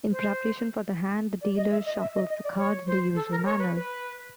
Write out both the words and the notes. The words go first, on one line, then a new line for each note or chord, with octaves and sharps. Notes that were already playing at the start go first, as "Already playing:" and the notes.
In preparation for the hand the dealer shuffles the cards in the usual manner.
C5
D5
D#5
E5
D#5
E5
D#5
D#5
D5
C#5
C5
A4
A#4
C#5
B4
B4